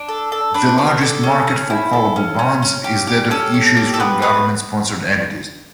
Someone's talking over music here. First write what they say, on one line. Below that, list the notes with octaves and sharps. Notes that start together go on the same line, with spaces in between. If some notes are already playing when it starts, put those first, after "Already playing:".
The largest market for callable bonds is that of issues from government sponsored entities.
Already playing: D4
A4
A4
D4 B4
D4
A4
C#4
C#4
E4
A4
C#4
C#4
C#4
G4
G4
C#4 A4
C#4
G4
A4
B3 B4
B3 B4